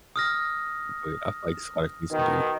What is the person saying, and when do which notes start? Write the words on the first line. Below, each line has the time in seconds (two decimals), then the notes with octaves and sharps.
but, I finds finds things to do.
0.16 D#6 F6 A#6
2.10 B2 D#3